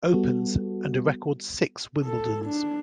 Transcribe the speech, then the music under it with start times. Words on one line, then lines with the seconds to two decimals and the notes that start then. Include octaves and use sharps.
Opens, and a record six Wimbledons.
0.13 G3 B3 F#4 A4
2.04 A4
2.45 D4